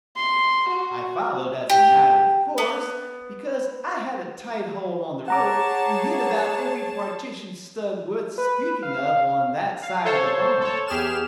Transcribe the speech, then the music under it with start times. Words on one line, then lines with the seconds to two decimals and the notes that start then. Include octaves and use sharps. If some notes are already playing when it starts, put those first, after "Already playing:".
I followed, as a matter of course, because I had a tight hold on the rope, and hit about every partition-stud worth speaking of on that side of the barn.
0.16 C6
0.70 F#4
1.70 G4
2.58 B3
5.28 G#4 C#5 F#5 A5 A#5 D6
8.38 B4
8.83 F5
9.81 F5
10.04 A4 C5 C#5
10.60 A4 C#5
10.87 E2 G4 G#4 F6 E7